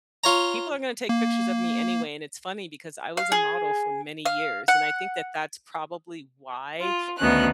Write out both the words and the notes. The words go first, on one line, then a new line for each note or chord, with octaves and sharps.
people are gonna take pictures of me anyway," and it's funny because I was a model for many years and I think that that's probably why,
F4 C#5 A#5
A#3
F5
G#4
F5
F#5
F4
D2 D#3 B3 C#4 F#6